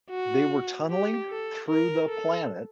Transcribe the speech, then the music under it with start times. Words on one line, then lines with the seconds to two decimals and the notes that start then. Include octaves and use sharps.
they were tunneling through the planet
0.10 F#4
0.90 G4
1.30 A4
1.69 A#4
2.08 A4